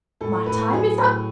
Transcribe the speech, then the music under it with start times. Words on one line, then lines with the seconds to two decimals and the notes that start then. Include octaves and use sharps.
My time is up.
0.21 A2 A4
0.46 A2 B4
0.72 F#3 G#4
0.99 A2